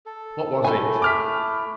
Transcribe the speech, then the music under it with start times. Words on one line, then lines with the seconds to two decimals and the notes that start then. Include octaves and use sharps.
"What was It?"
0.06 A4
0.64 A3 E4 A4 G#5
1.02 D6 F6 B6